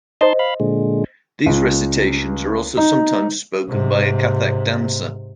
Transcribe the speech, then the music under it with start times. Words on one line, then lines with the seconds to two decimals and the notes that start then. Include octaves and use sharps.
These recitations are also sometimes spoken by a Kathak dancer.
0.21 D#4 C5 D#5 A5 C6
0.39 F5 B5
0.60 A#2 D3 G#3
1.46 C#2
2.77 D#4
3.68 G#2 C3